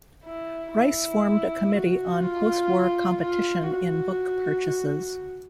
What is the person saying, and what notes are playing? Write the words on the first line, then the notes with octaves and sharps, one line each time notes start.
Rice formed a Committee on Postwar Competition in Book Purchases.
E4
E4
F#4
F4
F4
F#4